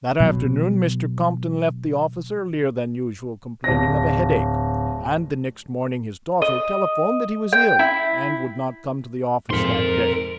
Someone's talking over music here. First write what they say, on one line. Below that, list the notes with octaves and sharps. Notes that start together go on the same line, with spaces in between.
That afternoon Mr. Compton left the office earlier than usual, complaining of a headache, and the next morning his daughter telephoned that he was ill and would not come to the office that day.
B2 F#3
D1 A#6
D#5
G5
E4
F2 G#2 A#4 C6